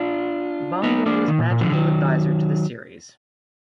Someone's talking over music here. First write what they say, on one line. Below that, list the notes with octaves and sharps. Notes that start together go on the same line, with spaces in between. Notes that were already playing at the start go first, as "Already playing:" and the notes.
Bongo was magical adviser to the series.
Already playing: D4 F4
B3 D#4
A#3 D4
D#3
A#2
A#2
D3 F3
D#3 F#3